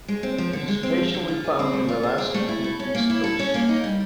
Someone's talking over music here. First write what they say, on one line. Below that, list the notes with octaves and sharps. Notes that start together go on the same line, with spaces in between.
It is occasionally found in Alaska and the East Coast.
G#3
C4
F3
D3
G#3
C4
F3
D3
F4
G#4
C4
A3
F4
G#4
C4
A3
E4
A4
C#4
A#3
E4
A4
C#4
A#3
D#4
G3